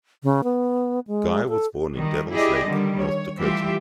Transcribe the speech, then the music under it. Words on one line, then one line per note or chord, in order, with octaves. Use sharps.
Guy was born in Devils Lake, North Dakota.
C#3
B3
G#3
A4
D#3 G3
E4 G4 G#4 D5 D#5
D3 D#3 G3
C#5
E3 G3 A3 F4 G4 E5